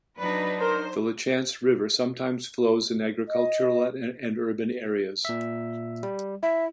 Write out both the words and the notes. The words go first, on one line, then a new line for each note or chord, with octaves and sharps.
The Lachance River sometimes flows in agricultural and urban areas.
F#3 D4 D#4 B4
A#4 C5
D#5
A#2 E5
G3
E4 E5